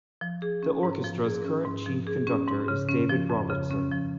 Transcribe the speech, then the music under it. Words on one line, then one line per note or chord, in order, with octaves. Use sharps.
The orchestra's current chief conductor is David Robertson.
F3
G#4
C#4
G#2
F3
G#4
C#4
G#2
F3
G#4
C#4
G#2
C#3
C#4
F3
F2
C#3
C#4
F3